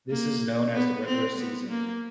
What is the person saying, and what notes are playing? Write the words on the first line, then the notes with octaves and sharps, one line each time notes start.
This is known as the regular season.
A#3
B3
C4
B3
A#3